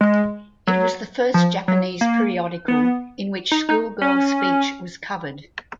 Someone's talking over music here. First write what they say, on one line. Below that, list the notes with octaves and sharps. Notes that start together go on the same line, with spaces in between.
It was the first Japanese periodical in which schoolgirl speech was covered.
G#3
F#3
F3
F#3
A#3
B3
D#4
D#4
C#4